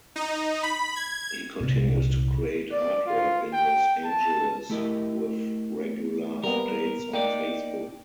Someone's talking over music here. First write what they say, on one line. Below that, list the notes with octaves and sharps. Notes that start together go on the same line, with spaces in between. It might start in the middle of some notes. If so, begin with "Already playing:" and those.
He continues to create artwork in Los Angeles with regular updates on Facebook.
D#4
B5
G#6
C2 A#2
D5
F4
G5
A5
A3 E4 G4 A#4 D#5
G3 A#3 B3 A#4
A#3 D#4 D5 G5